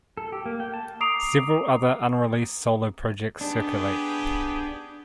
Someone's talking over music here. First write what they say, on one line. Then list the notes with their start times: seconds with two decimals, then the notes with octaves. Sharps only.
Several other unreleased solo projects circulate.
0.17 A4
0.32 G4
0.46 A#3
0.60 G5
0.74 A5
1.00 A#5 D6 D#6 C7 D7 F7
3.41 B3 D4 G4 G#4